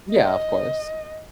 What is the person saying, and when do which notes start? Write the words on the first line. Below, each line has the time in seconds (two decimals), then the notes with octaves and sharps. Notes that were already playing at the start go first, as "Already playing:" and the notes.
Yeah, of course.
0.13 D#5